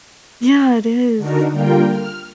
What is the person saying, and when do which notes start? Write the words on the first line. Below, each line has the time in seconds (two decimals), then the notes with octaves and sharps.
Yeah, it is.
1.17 D3 D4 D#4 F#4 A#4
1.51 D3 G3 A#3 F4 A#4 G5
1.88 F6